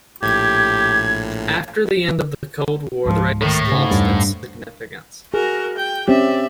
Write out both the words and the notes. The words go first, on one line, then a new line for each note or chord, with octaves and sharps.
After the end of the Cold War the race lost its significance.
A#1 A2 G4 G#6
C#2 G#2 F3 G#3
A2 D#3
G#2 C#3
E2 G2
F#4 G#4 A#4
G5
C4 C#4 G4 D5 E5